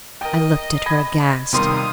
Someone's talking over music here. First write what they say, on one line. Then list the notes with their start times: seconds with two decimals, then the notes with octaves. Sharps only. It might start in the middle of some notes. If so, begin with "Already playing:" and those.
I looked at her, aghast.
0.21 A#4 D#5 G5
0.86 B5 G#6 A#6
1.53 C3 D#3 G3 F5 A#5 C6 C#6 D#6